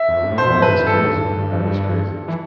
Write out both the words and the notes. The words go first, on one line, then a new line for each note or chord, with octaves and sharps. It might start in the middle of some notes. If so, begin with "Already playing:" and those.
That is crazy. That is crazy.
Already playing: E5
E2
F2
G2
A2
B2 C5
A2
G2 B4
F2
G2 A4
A2
G2
G2
E3